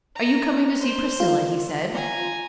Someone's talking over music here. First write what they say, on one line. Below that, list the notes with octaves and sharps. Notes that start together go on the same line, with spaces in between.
"Are you coming to see Priscilla?" he said.
A#5
C5
F4
G#5 A#5